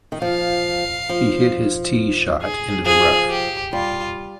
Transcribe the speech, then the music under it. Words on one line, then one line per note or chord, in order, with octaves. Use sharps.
He hit his tee shot into the rough.
D#3
F3 F5
F3
G#4
F3 G#4
G4
G3 F4